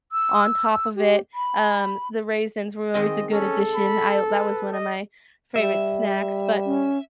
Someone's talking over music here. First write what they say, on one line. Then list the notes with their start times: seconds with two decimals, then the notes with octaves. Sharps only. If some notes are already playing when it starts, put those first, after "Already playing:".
on top of it, um, the raisins were always a good addition, l that was one of my favorite snacks, but,
0.12 E6
0.96 G4
1.34 B5
2.94 D#3 G#3 C4 D#5
3.32 C#4 A4
3.75 B5
4.30 B4
4.72 D#5
5.56 G3 E5
6.66 C#4